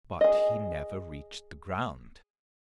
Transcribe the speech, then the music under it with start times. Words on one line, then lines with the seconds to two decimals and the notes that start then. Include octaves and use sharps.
But he never reached the ground.
0.21 G#4 D#5